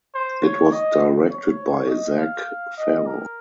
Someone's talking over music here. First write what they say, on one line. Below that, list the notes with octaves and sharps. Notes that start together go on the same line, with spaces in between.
It was directed by Zac Farro.
C5
C#5
D#5
C#5
D#5
F5
D#5
A#4